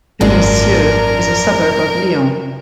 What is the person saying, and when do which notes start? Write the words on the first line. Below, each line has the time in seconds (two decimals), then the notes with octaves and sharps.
Venissieux is a suburb of Lyon.
0.21 G#1 F#2 A#2 D4 A#4